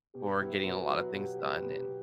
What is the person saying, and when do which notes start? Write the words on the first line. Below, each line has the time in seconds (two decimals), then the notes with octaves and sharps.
for getting a lotta things done and
0.15 B2 G4
0.40 F#3 B3 E4 B4
0.65 B2 F#4
0.89 F#3 B3 E4 B4
1.13 B2 G4
1.39 F#3 B3 E4 B4
1.63 B2